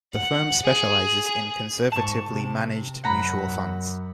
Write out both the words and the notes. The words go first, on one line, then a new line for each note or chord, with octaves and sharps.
The firm specializes in conservatively managed mutual funds.
F#5
G#4
G#4
G#2 A5 C#6
C3
F#2 F#5 A#5 B5